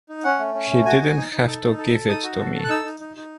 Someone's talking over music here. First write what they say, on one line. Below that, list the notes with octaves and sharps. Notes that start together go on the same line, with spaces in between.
He didn't have to give it to me.
D#4
C#4 F#5
A3
C#4
A3
F#4 G#5
D#4
D#4
D#4
A4
D#4
A4
A4
D#4 D#6
F#4
A4
A4
F#6
D#4 E6
D#4
D#4
D#4